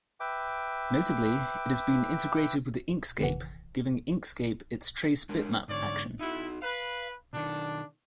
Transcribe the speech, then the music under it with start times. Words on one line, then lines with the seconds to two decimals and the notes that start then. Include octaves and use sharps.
Notably, it has been integrated with Inkscape, giving Inkscape its "Trace Bitmap" action.
0.20 B4 E5 G5 D6
3.20 G1 E2 C3 D#3 E3 F#5
5.29 G#3 D4 A#4
5.68 G#2 D3 C#5 D5
6.19 D#4 E4 F#4
6.62 B4 F5
7.33 B2 D#3 D4